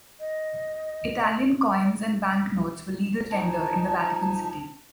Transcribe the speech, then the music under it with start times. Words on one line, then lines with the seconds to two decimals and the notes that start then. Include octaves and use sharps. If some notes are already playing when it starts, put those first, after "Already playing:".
Italian coins and banknotes were legal tender in the Vatican City.
0.20 D#5
3.31 F3 D#4 G#5 A5